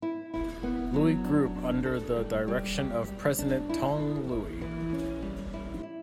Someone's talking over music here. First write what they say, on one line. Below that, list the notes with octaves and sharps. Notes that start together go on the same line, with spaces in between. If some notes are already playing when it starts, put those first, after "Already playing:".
Louie Group under the direction of President Tong Louie.
E4
E4
B3
F#3
D4
D4
A4
G3
G3
G4
G3
D4
E4
A4
E4
E3
C#4
G3
E4
E4